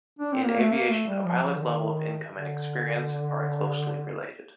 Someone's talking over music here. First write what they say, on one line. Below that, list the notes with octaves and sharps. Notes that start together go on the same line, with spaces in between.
In aviation, a pilot's level of income and experience are closely related.
D4
C4
A#3
A3
A#3
A3
G3
F3
F3
D3
D#3
D3